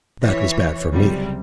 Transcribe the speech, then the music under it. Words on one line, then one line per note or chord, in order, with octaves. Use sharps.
That was bad for me.
E3 C#5
C#2 C3 F#3 G3